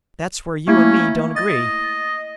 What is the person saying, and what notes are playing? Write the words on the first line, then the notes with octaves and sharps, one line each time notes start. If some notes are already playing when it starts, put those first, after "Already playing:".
That's where you and me don't agree!
A3 A#3 C#4 E4
D#5 A6